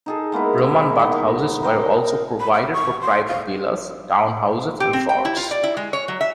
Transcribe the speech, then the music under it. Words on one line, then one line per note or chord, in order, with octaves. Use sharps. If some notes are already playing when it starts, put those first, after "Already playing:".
Roman bath-houses were also provided for private villas, town houses, and forts.
D#4 G#4 A4
G#3 A#3 B3 E4
E4 C#5
E3 B3 D#4 D#5
A#4 C5 D#5 G5
B5
E5
C#6
C6
F5
G4
C4
G5
E4
F4
D5
E4
G#3
C#5
F#3
E5